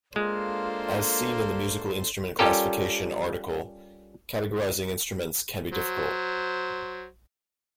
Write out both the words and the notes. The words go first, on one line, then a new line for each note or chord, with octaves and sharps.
As seen in the musical instrument classification article, categorizing instruments can be difficult.
G#3 A#3 D4 F4 A4 C5
G3 C#4 F4 G4 A4 A#4
F#3 C5